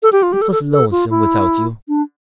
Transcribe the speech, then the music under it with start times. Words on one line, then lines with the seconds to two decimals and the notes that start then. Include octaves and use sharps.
It was lonesome without you.
0.03 A4
0.12 G4
0.23 F4
0.33 G4
0.42 A4
0.52 A4
0.71 A4
0.91 F4
1.10 E4
1.88 D4